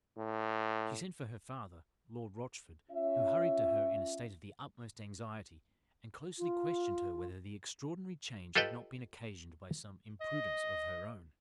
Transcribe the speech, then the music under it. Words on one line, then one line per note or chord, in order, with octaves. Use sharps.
She sent for her father, Lord Rochford, who hurried to her in a state of the utmost anxiety, and closely questioned her whether the extraordinary change had not been occasioned by some imprudence of her own.
A2
C#4 F4 E5
F4
F4 G4 A4 B4 D#5 G5
D#5